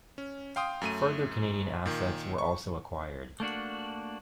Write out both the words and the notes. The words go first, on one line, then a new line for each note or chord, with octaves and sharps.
Further Canadian assets were also acquired.
C#4
F5 G5 C6 D#6
F#2 A3 D#7
A#2 D#3
C#6
A3 A#3 D4 F#4